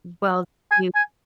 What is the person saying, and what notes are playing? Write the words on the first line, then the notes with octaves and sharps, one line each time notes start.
Well, you
G#5
G#5